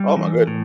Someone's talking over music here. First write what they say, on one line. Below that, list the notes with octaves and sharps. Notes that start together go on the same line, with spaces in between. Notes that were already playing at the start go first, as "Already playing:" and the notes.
Oh, my goodness.
Already playing: G3
E3
A2